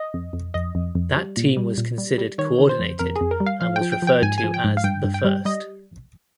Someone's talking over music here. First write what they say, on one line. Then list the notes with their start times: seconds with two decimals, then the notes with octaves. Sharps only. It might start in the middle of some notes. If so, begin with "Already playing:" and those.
That team was considered coordinated and was referred to as "the first".
Already playing: D#5
0.14 F2
0.33 F2
0.54 F2 D#5
0.75 F2
0.95 F2
1.16 G3
1.37 A#2
1.57 G3
1.78 A#2
1.98 G3
2.18 G3
2.38 D#3 C#5
2.59 D#3
2.69 C5
2.79 F2
2.99 F2 A#4
3.16 G#4
3.21 F2
3.31 A#4
3.40 G3
3.46 F5
3.61 F3 F5
3.76 G5
3.81 F3
3.92 G5
4.02 F3
4.07 G5
4.22 G#2 G#5
4.38 G#5
4.44 F3
4.54 G5
4.64 G#2
4.77 F5
4.84 G2 G5
5.04 G2
5.14 G5
5.24 G3
5.45 G3 D#5